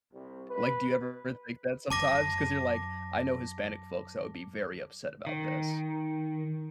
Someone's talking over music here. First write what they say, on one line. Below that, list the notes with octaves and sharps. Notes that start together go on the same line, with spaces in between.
Like, do you ever think that sometimes? 'Cause you're like, "I know Hispanic folks that would be very upset about this,"
C2
B4
F#2 A5 D6 A#6
D#3